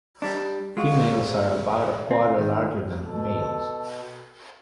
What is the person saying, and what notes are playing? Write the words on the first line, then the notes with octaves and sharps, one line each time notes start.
Females are about a quarter larger than males.
G3 D4
G#3 F4 F#4
C4
D#3
B2 A4